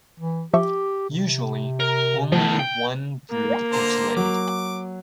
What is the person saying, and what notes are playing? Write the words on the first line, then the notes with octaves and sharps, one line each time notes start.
Usually, only one brood is laid.
E3
F3 G4 E5 C#6
C3
A#4
E2 F3 A3
G5
A#3
D3 C5 A#5
F#3 D6